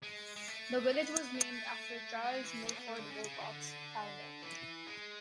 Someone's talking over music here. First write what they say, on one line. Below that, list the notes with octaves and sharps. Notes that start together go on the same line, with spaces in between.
The village was named after Charles Milford Wilcox, founder.
G#3
G#3
A3
B3
A3
G#3
E3
E3
B3
A3
D3
C#3
C#3
D3
E3
G#3